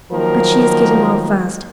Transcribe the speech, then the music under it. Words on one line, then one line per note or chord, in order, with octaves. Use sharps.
But she is getting well fast.
D#3 F3 F#3 A#3 A#4